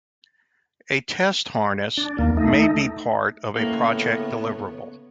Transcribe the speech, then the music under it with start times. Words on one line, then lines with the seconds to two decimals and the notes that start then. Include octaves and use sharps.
A test harness may be part of a project deliverable.
1.97 D4
2.18 D#2 A#3
2.37 A3 D#4
3.56 A2 C#3 A#3 B3 C#5